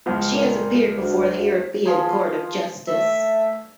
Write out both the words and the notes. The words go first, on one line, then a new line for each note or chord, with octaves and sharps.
She has appeared before the European Court of Justice.
C#2 F3
A#2
D2
F3 G#4 C6
A3 E5